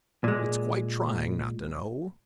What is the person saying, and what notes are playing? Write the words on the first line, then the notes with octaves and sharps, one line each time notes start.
It's quite trying not to know.
A#2 G#3